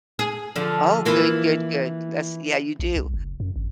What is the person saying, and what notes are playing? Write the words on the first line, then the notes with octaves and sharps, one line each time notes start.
Oh, good, good, good. That's yeah, you do.
G#4
D3 F3
E3 A#3 F4
A#1
C2
F#1
F#2
G#1